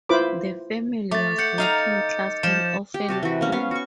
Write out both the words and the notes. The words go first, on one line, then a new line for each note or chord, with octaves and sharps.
The family was working class and often poor.
E4 F4 B4 C5 B5 D6
A3 D6 A6
F#5 G6 C#7
D#4 F5 A#5
F3 E7
G4
C3 F#4 A5
E3 F#4
A#3 C#4
B3 C#4 F5
F#4 C#6